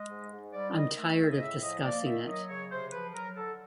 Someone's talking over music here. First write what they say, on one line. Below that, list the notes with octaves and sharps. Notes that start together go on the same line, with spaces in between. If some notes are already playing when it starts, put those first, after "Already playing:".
I'm tired of discussing it.
Already playing: G#3 D#5
G#2
G#2
G3 D5
D#3 D#5
A3 E5
C#3 E5
D#5
A2 E5
F3 D#5
A#3 D5
D#3 E5
F#3 D#5
C#3 C#5
C3 C5
F3 B4
F#3 A#4
D3 A4